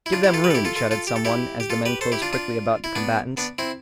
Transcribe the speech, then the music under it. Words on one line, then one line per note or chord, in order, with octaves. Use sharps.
"Give them room," shouted some one, as the men closed quickly about the combatants.
E4
D4 F4
E4 G4
F4 A4
G4 B4
A4
E4 G4
F4 A4
F4 A4
F4 A4
G4
A4
E4 G4
G4
F4 A4
G4 B4
A4 C5
E4 G4
D4 F4
D4 F4
E4
B3 D4
B3 D4
C4 E4